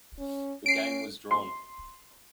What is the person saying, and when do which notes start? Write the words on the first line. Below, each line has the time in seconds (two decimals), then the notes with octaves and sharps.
The game was drawn.
0.19 C#4
0.66 C#4 C7 D7
1.31 C6